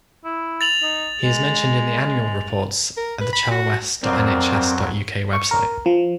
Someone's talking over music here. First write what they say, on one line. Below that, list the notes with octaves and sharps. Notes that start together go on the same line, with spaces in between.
He is mentioned in the annual reports at the chelwest.nhs dot uk website.
E4
A6 F7 F#7
D#4
G#3
A#4
B4
B5
F#4
F2 F#3 C4 A#4 D5
C#6
A#4
F3